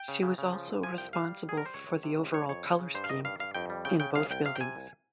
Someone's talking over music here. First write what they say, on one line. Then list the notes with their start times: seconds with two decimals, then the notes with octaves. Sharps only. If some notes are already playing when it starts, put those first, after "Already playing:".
She was also responsible for the overall colour scheme in both buildings.
Already playing: G5
0.08 C#3
0.23 C#3
0.38 C#3
0.53 F3
0.68 C2
0.83 F3 G#5
0.98 C2 G5
1.13 G3 F5
1.29 G3
1.44 D#2
1.49 G#4
1.57 G3 A#4
1.66 C5
1.74 C#2 C#5
1.89 C#2
2.03 C3
2.19 C#2
2.34 F2 C#5
2.49 F2 C#5
2.65 C#3
2.79 C#3
2.95 G2 C5
3.04 F5
3.09 D#3 D#5
3.25 G2 F5
3.40 G2 F5
3.55 F2 G5
3.70 G3
3.85 C#3 G5
4.00 C#3 G5
4.15 C2 F5
4.31 C2 G5
4.46 C3 F5
4.55 G5
4.60 C3 G#5
4.75 C2